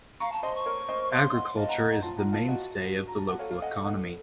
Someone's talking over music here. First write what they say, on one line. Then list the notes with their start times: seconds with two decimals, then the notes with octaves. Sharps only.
Agriculture is the mainstay of the local economy.
0.20 F5 A#5 C#6
0.32 A5
0.43 C5 D#5 C6
0.54 C#6
0.66 A#4 C#5
0.88 C5 D#5
1.11 C#5 F5 C6
1.34 D#5 F#5
1.57 D#5 F5 A5
1.68 F#5 A#5
1.79 F#5 A#5
1.91 F#5 A#5
2.02 F4 A5 C6
2.18 F#5 A#5
2.32 F5 A5
2.48 F#4 D#5 F#5
3.08 A#5
3.18 A5
3.28 F#4 F#5
3.39 A4 C#5 F5
3.51 F5
3.62 D#5 F#5
3.84 D#5 F#5